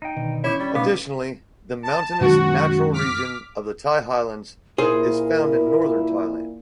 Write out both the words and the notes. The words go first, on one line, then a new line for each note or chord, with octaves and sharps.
Additionally, the mountainous natural region of the Thai highlands is found in Northern Thailand.
D#4 G5
B2 D3 D#3
C#4 E4 C#5 D6 G6
G3 D4 B5
B2 A3 B3 D#4 F5 D6
A5
F#2 D#3 G#3 F#4
D6 F6 B6
A#2 E4 G#4 A#4 C5